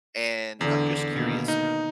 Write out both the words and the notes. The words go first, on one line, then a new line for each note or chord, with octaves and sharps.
and I'm just curious,
E2 D3
B2 D#3 A#3
D#4